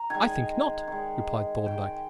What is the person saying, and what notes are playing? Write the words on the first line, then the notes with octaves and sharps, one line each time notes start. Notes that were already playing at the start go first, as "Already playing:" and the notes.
"I think not," replied Thorndyke.
Already playing: A#5
D#3 G#3 G#5
D#3 G#3
D#3 G#3 G5